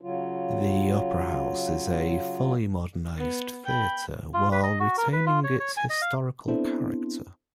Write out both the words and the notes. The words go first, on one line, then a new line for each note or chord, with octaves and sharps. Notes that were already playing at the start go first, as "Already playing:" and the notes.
The Opera House is a fully modernized theatre while retaining its historical character.
C#3 F#3 F4
B3
G5 B5
F4
B4
D#5
F#4
A#4
B4
F4
C#5
C#5
G#5
D#5
F5
B3 C4 D4 E4 A4 C5